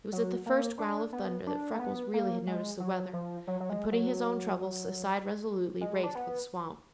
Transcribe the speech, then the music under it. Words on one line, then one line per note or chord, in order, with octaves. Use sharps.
It was at the first growl of thunder that Freckles really had noticed the weather, and putting his own troubles aside resolutely, raced for the swamp.
F#3
A#3
D4
B3
D4
A#3
B3
A#3
G#3
F#3
F3
F#3
F#3
G#3
F#3
G#3
D4
B3